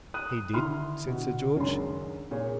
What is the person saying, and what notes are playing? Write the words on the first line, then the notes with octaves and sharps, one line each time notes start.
"He did," said Sir George.
D#6 F#6 D#7
D3 D#3 E4 C6 F6
B2 D3
C#2 F#2 D#3 G#3 D4 C6
A#2 G#4 C#5